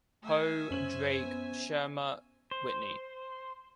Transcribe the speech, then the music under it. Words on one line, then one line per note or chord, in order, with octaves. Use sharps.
Howe, Drake, Shurmer, Whitney.
A3 E5 G#5
F#2 C#4 C5 F#7
B3
C5